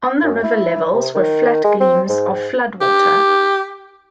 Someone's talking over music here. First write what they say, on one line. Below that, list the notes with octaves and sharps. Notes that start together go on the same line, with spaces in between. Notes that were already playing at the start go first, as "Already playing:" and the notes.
On the river levels were flat gleams of flood water.
F#2
E4
C3
D#3
G#3
C4
G#2
G#2
G4